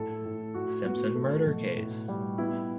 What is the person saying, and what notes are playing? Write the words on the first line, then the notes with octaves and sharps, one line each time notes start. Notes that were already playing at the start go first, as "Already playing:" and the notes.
Simpson murder case.
Already playing: A2 A4
A2
A2 F#4
B3 F#4
A3
B2
A2
G3
B3 E4